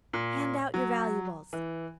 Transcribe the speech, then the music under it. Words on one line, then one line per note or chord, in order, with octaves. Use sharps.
"Hand out your valuables!"
A#2
F#3
E3